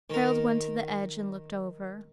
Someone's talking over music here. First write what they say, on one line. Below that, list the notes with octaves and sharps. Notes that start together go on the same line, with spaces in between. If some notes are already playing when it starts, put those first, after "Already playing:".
Harald went to the edge and looked over.
D#3 A#4